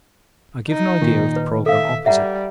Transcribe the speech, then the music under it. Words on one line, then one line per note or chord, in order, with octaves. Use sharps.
I give an idea of the programme opposite.
D#4
A#2 D#3
B4
A4 E5 F5
G3 E5 F#5 A#5